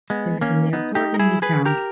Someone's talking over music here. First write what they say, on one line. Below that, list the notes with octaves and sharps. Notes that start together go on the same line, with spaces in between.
There is an airport in the town.
G#3 B3
A#3 C#4
B3 D#4
D#4 G4
A#4
E4 G#4
G#4 B4
G4 A#4